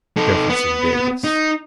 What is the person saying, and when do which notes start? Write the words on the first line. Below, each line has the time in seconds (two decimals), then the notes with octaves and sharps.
"Jefferson Davis."
0.17 D#4 A4
0.49 B3
1.24 D#4